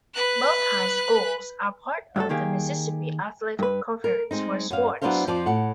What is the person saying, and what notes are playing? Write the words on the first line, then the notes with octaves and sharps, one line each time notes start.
Both high schools are part of the Mississippi Athletic Conference for sports.
B4 F#6
G2 F#3 A3 A4
D#3 A#3 G4 G#4
G2 B4
A#4
G#3 C4 D#4
F#2 F5
F#3 B3 D4 E4 C5 F5
F2 F3 C5 D5
A2 F#5